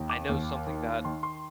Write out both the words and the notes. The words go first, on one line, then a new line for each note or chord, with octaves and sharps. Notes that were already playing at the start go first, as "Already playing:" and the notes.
I know something that
Already playing: D#2 D#3
D6
D#2
D#3
D#3 C6
C6